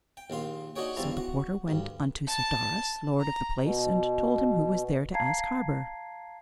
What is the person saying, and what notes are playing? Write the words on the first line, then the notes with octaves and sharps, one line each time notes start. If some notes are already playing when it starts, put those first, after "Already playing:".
So the porter went unto Sir Darras, lord of the place, and told him who was there to ask harbour.
G5
A#1 D#2 F5 C6
D4 D#4 F#4 G#4 C#5 G5
E2 F3 G3 E4 A5 A#5
F#4
D2 G2
A5
A#5
B2
F5 A5 A#5 G#6 C7